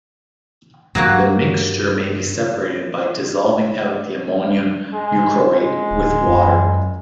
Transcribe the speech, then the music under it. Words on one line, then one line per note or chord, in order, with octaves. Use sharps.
The mixture may be separated by dissolving out the ammonium euchroate with water.
G2 F#3 A#3 F#4
G#3
G#3
D1
F#2